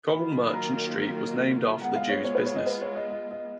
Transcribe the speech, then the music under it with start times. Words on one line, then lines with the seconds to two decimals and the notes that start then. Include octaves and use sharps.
Coral Merchant Street was named after the Jews' business.
0.10 D#3 F#3 A#3 F4 A#4 B5
0.32 B5
0.54 A#5
1.81 G#3 B3 F4 F#5
1.96 F5
2.09 C#5
2.24 C#5
2.35 B4
2.46 C#5
2.56 D#5
2.67 B4
2.82 C#5
2.95 D#5
3.10 D#5
3.31 D#5